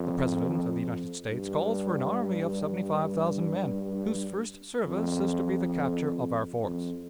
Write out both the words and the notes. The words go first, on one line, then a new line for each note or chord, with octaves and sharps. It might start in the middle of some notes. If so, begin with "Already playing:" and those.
The President of the United States calls for an army of seventy-five thousand men, whose first service is to be the capture of our forts.
Already playing: F2
G2
F2
F2